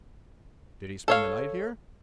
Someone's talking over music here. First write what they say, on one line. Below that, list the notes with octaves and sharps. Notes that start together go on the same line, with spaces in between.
"Did he spend the night here?"
A4 C#5 F5